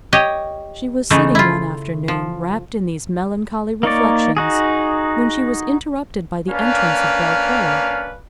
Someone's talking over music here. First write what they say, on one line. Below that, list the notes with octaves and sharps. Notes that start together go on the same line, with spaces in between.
She was sitting one afternoon, wrapped in these melancholy reflexions, when she was interrupted by the entrance of Belcour.
G4 C#5 D#5
C#3 E3 A3 D#4
E4 F4
F3
A#3 D#4 C#5 D5
D#4 F#4 G#4
A#3 C#4 D4 B4 F5